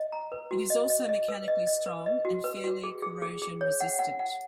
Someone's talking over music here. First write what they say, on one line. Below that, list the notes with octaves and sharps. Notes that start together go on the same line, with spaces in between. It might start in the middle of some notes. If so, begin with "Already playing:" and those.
It is also mechanically strong and fairly corrosion resistant.
Already playing: D#5
A#5
B4
F#4
D#5
D#5
D#5
B4
D#5
D#5
B4
D#5
F#4
B4
F#4
G#4
G#4
G#4
G#4
C#5
F#5
F#5
F#5